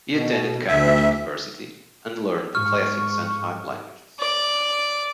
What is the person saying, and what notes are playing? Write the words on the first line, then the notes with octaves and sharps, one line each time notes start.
He attended Cambridge University and learned the classics and five languages.
B2
D2 E5
G#2 C#6 F6
D5